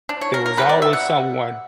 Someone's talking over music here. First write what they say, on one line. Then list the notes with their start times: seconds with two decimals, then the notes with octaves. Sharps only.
There was always someone
0.09 D4
0.21 C#5
0.34 A#4
0.46 A#4
0.57 B2 G3 B3 B4
0.69 D5
0.82 E5
0.93 F#5